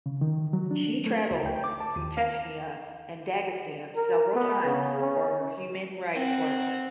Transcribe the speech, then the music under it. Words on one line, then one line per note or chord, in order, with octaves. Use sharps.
She travelled to Chechnya and Dagestan several times for her human rights work.
C#3
D#3
F#3
D4
A3
C#2
G5
D6
A5
D#2
F5
A#4
B3
C#3
C#4
C4 F#5